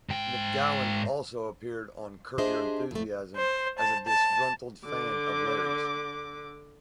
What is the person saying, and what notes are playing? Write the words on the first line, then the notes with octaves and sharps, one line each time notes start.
McGowan also appeared on "Curb Your Enthusiasm" as a disgruntled fan of Larry's.
G#2 G5
D4 G4 G#4 C5 D#5 E5
F2 A3
C5
A5
A5
D3 D6